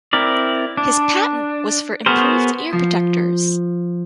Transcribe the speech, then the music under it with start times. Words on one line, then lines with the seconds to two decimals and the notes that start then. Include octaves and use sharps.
His patent was for improved ear protectors.
0.13 C4 E4 A#4 D5
0.77 D4
2.06 B3 F#4 G#4 A#4 C5
2.72 F3